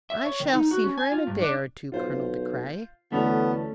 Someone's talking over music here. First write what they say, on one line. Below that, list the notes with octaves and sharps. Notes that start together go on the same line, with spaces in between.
"I shall see her in a day or two, Colonel De Craye."
E5
C#5
D#3
D#4
F#4
C#4
G#5
F4
G2
D4
B1 F4 C5
D2 E3 A3 B3 C#4